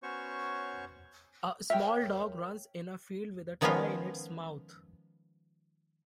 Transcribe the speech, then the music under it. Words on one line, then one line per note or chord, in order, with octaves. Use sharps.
A small dog runs in a field, with a toy in its mouth.
B3 C#4 F#4 C5 C#5 C#6
A#4 C#5 E5 G5
D#3 F3 G#3 B3 C#4 F4